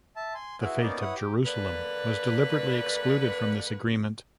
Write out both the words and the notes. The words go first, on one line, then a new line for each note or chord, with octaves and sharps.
The fate of Jerusalem was deliberately excluded from this agreement.
E5 A5
G#5 C6
E4 F#4 G#4 B4 E5
A#3 B3 C#4 D#4 D5
E4 B4 C#5 F#5 D#6
G4
D3 A#3 B4 D5